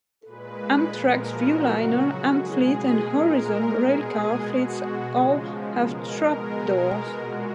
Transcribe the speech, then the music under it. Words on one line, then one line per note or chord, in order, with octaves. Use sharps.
Amtrak's Viewliner, Amfleet, and Horizon railcar fleets all have trapdoors.
A#2 G#3 B4
A#2 F3 G#3 A#4
F#4
C#3 F#3
B2 G#3 G#4
A#2 G#3 A#4
B2 G#3 G#4
B2 G#3 F#4
C#3 F3 G#3
B2 G#3 A#4
B2 G#3 A#4
A#2 G#3 F#4